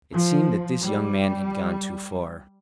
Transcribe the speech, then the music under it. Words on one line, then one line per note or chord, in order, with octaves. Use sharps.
It seemed that this young man had gone too far.
F3
G3